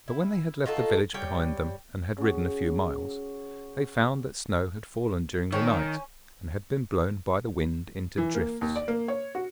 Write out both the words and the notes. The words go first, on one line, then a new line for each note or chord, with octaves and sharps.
But when they had left the village behind them, and had ridden a few miles, they found that snow had fallen during the night, and had been blown by the wind into drifts.
E4
D#4 F4 F#4 A4
G3 C#5 G5
C#3 F#4
D#3 C#4
E3
A#3
D#2
D5
A#3
C#5
F#4